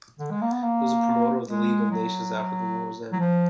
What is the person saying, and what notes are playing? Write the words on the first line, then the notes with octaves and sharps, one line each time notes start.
It was a promoter of the League of Nations after the war's end.
D3
G#3
A#3
B3
A#3
G#3
F#3
F#3
F3